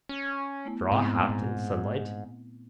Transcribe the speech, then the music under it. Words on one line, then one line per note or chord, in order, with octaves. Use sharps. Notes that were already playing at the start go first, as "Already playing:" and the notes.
Straw hat in sunlight.
C#4
A3 B3 E4
G#2 B3 C4 E4
A#2